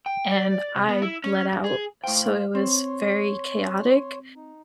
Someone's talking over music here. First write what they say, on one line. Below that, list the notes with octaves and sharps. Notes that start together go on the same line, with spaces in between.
and I bled out. So, it was very chaotic,
G5
D5
C3
B3
E4
C#4
G2
G#4
A2 C5 F5 G5
C4 C#5 C6
D#4